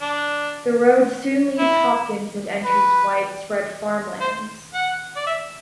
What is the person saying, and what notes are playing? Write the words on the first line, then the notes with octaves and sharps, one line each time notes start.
The road soon leaves Hopkins and enters widespread farmlands.
D4
E4
B4
C5
F#5
D5
E5